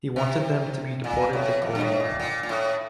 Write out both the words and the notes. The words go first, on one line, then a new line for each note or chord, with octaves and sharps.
He wanted them to be deported to Kolyma.
C3
A#2
A2
F2
G2
A2
A#2
A#2
A#2
A2